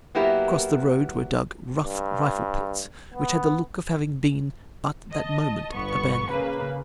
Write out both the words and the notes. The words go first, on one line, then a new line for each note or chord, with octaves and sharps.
Across the road were dug rough rifle-pits which had the look of having been but that moment abandoned.
F#3 A#3 B3 E4 G4 A#4
G2
B3
D#5 A5
G1 B3 C#6
C#3 A#3 B4